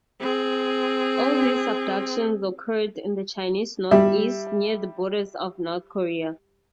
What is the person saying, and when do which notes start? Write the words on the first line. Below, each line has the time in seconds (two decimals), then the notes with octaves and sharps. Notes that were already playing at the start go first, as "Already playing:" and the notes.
All these abductions occurred in the Chinese North-East, near the borders of North Korea.
0.20 C4 G#4
3.91 G3 E5